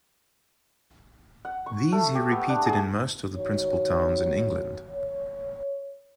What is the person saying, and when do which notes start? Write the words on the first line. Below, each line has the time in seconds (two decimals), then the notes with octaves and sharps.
These he repeated in most of the principal towns in England.
1.45 F#5
1.66 C#6
1.92 A3
2.15 G4
2.31 B3
2.49 D4
2.66 G#4
3.35 D#3 D#4 F#4 C#5
4.91 C#5